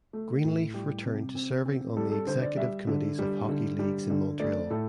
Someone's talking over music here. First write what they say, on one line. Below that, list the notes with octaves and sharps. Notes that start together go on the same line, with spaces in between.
Greenleaf returned to serving on the executive committees of hockey leagues in Montreal.
A3
A2
G3 G4
C3
C4
C4
G3 A4
A4
D3 C5
D5
G3 E5
D3
G3
D3
G3
D3
A3 D5
A2 A4